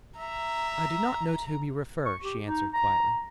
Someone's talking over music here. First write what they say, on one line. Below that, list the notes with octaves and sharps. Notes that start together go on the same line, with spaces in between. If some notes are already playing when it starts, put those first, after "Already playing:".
"I do not know to whom you refer," she answered quietly.
E5 A#5
C#6
G4
D#4
A#5